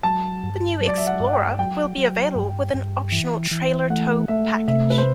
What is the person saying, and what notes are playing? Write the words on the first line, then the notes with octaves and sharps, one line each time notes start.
The new Explorer will be available with an optional trailer tow package.
F#3 A5
G2
F#3
D5
E5
F#5
G2
F#5
G5
F#3 G5
F#3
G2
G2
E3
E3
A3 F#5
A3 E5
C3 E5
B4
C5